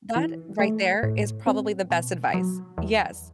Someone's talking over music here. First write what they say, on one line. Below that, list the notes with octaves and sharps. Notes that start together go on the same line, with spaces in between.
That right there, is probably the best advice. Yes.
E3
A3
A2
C4
B2
F#3
E2